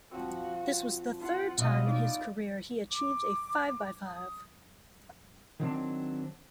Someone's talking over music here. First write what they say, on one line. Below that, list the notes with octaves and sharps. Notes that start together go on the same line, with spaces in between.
This was the third time in his career he achieved a five-by-five.
F3 C4 F#4
F4 F#5 C6
B2 F#3 E4 D#5 F5
D#4 D5
D6
D#6
D#3 F#3 C4 D4